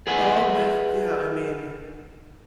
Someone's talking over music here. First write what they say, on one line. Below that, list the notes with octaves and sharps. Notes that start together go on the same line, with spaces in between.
Um, yeah. I mean,
G#4 B4 E5 F#5 G#5